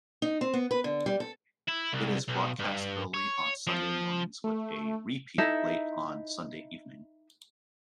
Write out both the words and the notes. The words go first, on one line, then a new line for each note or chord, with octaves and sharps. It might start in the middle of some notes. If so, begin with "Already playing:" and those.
It is broadcast early on Sunday mornings with a repeat late on Sunday evening.
D#4
C4
B3
B4
D3
G3
A4
E4
C2
B1
G2
C#5
F3
A3
D#4 E4 A4 E5